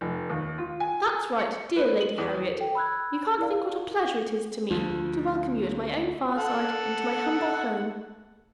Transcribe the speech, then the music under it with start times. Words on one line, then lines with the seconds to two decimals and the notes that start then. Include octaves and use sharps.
"That's right, dear Lady Harriet! you can't think what a pleasure it is to me to welcome you at my own fireside, into my humble home."
0.01 F1
0.30 D#2
0.58 F4
0.80 G#5
1.39 C#7
1.76 B4
2.01 F#7
2.18 E2
2.58 A4 G5
2.75 B5 E6 F#6 G#6
3.38 E4 A#4 D5 F5
4.71 D2 F3
6.36 A4 F#5